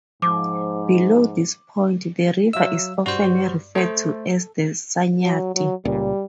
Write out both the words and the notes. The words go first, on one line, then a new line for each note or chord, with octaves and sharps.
Below this point, the river is often referred to as the Sanyati.
G#2 F3 D6
F#3 E5 F5 E6
G2 F#4 C5
A3 A4 C5
F#3
F#3
C#2 A#2 G3